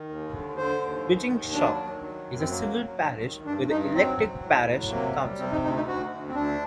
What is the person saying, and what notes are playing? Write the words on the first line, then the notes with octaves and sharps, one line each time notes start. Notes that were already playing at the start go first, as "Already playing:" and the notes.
Beechingstoke is a civil parish with an elected parish council.
Already playing: D#3
D#2
D3
D3 C5
D#2
D#3
D#2
F#3 D4
D#3
F#3
F#2
C4
F#3 A#3
F#3
G2
D#3
G2 D4
G2 D#4
F#3 C4
F#3
A2
F#3
C3 A#3
G3
C3 C4
D#4
D2 D#4
D#4
D2 F#4
D2
C4
D2 D4